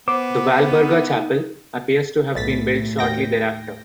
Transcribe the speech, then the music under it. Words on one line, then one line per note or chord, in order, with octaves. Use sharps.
The "Walburga Chapel" appears to have been built shortly thereafter.
B3 C5 D6
D#4
B1 A2 A6 B6
D#2 G5 A#6